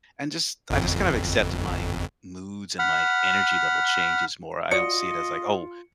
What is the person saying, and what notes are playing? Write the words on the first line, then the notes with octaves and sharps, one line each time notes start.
and just I just kind of accept my moods and my energy level changes more, I don't see it as like, "Oh,
G1 F2
F#5 B5 F6
F4 F#4 D5 D#5 C#7